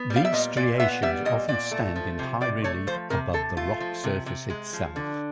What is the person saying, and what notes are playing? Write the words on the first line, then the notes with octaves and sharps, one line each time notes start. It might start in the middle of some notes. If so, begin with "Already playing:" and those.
These striations often stand in high relief above the rock surface itself.
Already playing: B3
G3
F5
E5
A#2 D#5
A#2 D5
B3 E5
G3 E5
A#2 D#5
A#2 D5
A3
F3
C3
C3 D5
A3 C#5
F3 C5
C3 A#4
C3 A4
A3 F4
F3
C3
C3
G#3
F3
D3